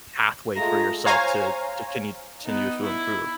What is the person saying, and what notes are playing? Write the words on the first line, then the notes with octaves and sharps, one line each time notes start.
pathway for yourself to to continue- continue to improve.
G#3 A3 F4 A#5
C5 C#5 F5 G#5 A#5
B3 D#4
E4